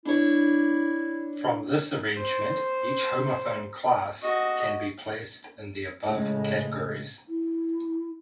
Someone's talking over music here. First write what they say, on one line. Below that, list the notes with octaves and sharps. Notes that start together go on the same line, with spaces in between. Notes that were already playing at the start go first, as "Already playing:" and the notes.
From this arrangement, each homophone class can be placed in the above categories.
D4 E4 C#5
C5
F#4 D#5
A2 C#3 G#3
E4